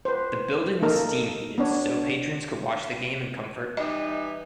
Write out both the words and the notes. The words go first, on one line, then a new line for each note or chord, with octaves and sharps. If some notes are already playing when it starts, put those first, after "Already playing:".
The building was steam heated so patrons could watch the game in comfort.
B4 C5
A#3 D#4 A4 A#4
B3 D4 C#5
E3 G3 D#4 D#5